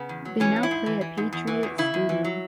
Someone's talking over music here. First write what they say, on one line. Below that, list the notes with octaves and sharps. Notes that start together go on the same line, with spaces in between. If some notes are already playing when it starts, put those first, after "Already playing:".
They now play at Patriot Stadium.
Already playing: C#3 B3
E2
F#3
E3 C#4
G#2
E4
G#2
E3
E3
G#2
E2
E3
E2
C#3 E4
E2
E3
F#3